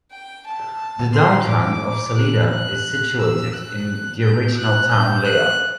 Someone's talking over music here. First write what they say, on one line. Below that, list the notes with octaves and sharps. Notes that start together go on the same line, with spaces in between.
The Downtown of Salida is situated in the original town layout.
G5
A5
C6
D6
F#6
F#6
E6
F#6
G6
F#6
G6
F#6